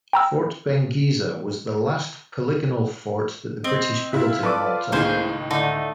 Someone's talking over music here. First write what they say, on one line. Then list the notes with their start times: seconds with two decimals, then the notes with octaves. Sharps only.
Fort Benghisa was the last polygonal fort that the British built in Malta.
0.13 G5 A#5 E6
3.64 C4 D#5
4.13 E4 F4 E5
4.43 A4 B4 D5 D6
4.92 C#2 A2 D#3 A#3 G#4 C5 F5
5.51 D3 A3 D#4